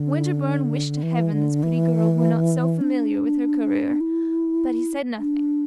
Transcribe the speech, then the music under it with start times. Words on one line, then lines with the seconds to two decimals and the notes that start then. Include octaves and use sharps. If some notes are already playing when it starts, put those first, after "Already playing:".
Winterbourne wished to Heaven this pretty girl were not so familiar with her courier; but he said nothing.
Already playing: D3
1.03 E3
1.32 D3
1.63 E3
2.81 D4
4.00 E4
5.18 D4